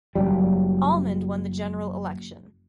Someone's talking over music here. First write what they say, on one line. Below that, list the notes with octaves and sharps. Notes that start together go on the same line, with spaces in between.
Almond won the general election.
F#1 D#2 F#3 G3